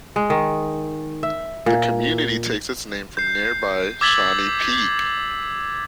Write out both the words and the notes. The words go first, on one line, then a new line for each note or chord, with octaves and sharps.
The community takes its name from nearby Shawnee Peak.
G#3
D#3
E5
A#2
G6 C7
D6 E6 G#6 A6 B6 F#7